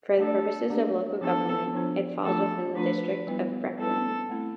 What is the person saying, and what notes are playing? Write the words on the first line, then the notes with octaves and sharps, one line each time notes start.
For the purposes of local government, it falls within the district of Breckland.
A3 D4 G4 A4 D5
A3 D4 G4 D5
F3 B3 D4 F4 A4 C5
F3 B3 D4 F4 C5
F3 A3 D4 F4 A4
F3 A3 D4 F4 B4
G3 B3 E4 B4
G3 B3 E4 A4 B4
A3 C4 E4